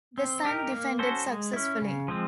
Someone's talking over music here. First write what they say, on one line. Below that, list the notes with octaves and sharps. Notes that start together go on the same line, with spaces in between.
The son defended successfully.
C4
D#4 G4 A#4
A#3
C#4 F#4 A4 C5
G#3
C#4 E4
C#3
F3 G#3 C4